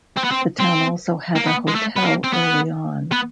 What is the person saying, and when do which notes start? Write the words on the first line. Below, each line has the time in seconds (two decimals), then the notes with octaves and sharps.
The town also had a hotel early on.
0.17 C4
0.24 B3
0.32 C4
0.60 C4
1.36 A#3
1.47 B3
1.68 G#3
1.75 A3
1.96 B3
2.04 A#3
2.24 C4
2.33 B3
3.12 B3